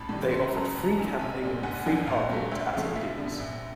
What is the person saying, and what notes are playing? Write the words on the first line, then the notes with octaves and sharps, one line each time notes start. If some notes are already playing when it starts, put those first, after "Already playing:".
They offered free camping and free parking to attendees.
Already playing: A1 A5 B5
A2 E3 G3
C#2 C6
B5
A#5
C#3 F#3 A5 B5
F#1 B5
A#5
A5
F#2 D#3 G#5 A#5
B1
A#2 G3
G1 F#5 G#5
F#2 D3 F3 G5
G#5
A#1 F5 G5
A#2 F#3 A3
D2 E5
C#3 F3 A3 F5
G1 E5
F#2 D3 G3 B3
A#1